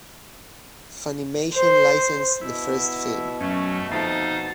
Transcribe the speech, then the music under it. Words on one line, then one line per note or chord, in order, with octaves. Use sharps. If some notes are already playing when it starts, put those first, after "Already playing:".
Funimation licensed the first film.
C5
B2 E4
F#2 A3 C#4
F2 A3 D#4 F5 A5